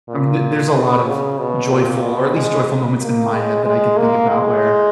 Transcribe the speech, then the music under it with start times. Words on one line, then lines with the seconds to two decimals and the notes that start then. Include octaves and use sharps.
I mean th there's a lot of joyful or at least joyful moments in my head that I can think about where,
0.08 A#2
0.73 B2
1.05 C#3
1.38 B2
1.71 A#2
2.03 B2
2.35 G#3
3.01 A#3
3.33 G#3
3.65 G#3
3.98 A#3
4.30 G#3